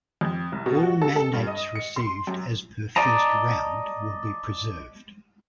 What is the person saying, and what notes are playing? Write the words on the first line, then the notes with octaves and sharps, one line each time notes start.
All mandates received as per first round will be preserved.
F2
C2
B2
F#4
A4
A4
G2
D#5
C#7
C6
F#2
D5 D#5 A5 A#5